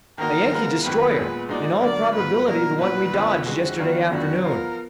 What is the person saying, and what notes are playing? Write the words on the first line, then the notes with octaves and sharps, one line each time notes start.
"A Yankee destroyer--in all probability the one we dodged yesterday afternoon."
D#3 A#3 D#4 F#4 A#4
F3 G#3 B3 F4
F2 D#3 F#3 B3 B4
A#2 G#3 B3
A#2 G#3 D#4 F#4 D5
D3 F#3 A#3 D5
G#2 F#3 B3 F4 B4
B2 F#3 A#3 D4 A#4
A#2 F#3 D4 F#4 B4
F2 D3 F3 B3
F2 D3 G#3 F#4
D#3 F#3 B3 D4 F4
F2 D3 F#3 B3 D4 F#4
F3 B3 F4 A#4